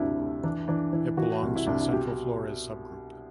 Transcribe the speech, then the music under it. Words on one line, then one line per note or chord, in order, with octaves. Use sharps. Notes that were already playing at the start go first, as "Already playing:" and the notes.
It belongs to the Central Flores subgroup.
Already playing: D2 G2 C3 D4 E4
D2
E3 D4
E3 D4
E3 E4
E3 F#4
C2
E4
C2 D4
E4
B2 G4